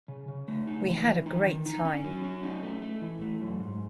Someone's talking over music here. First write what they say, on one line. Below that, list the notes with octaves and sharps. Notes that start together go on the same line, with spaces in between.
We had a great time.
C#3
C#3
A3
D#4
E3
E3
D#4
D#3
D#4
C#4
F#3
C#4
D#4
A3
A3
E3
A3
F#2
G#2